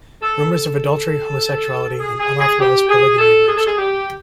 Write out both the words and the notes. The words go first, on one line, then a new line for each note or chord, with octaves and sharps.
Rumors of adultery, homosexuality, and unauthorized polygamy emerged.
A4
A4
G#4
G#4
G#4
G4
G#4
A4
G#4
A4
G#4
G4